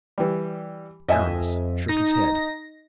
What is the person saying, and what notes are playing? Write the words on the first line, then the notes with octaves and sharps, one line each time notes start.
Aramis shook his head.
E3 G3
F2 D#5 E5 G#5
D#4 A#6